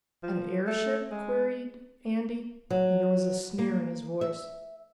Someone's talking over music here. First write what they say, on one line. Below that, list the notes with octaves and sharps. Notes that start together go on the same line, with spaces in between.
"An airship?" queried Andy, and there was a sneer in his voice.
F3
A3
G#3
F#3
A#3
E5